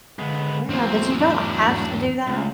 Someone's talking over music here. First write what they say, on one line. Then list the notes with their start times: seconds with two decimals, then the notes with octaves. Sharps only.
Yeah, but you don't have to do that.
0.19 D3 G#3 B3
0.69 E2 F#3 A#3 C4
1.21 A3 D4 G4
2.27 C#2 A3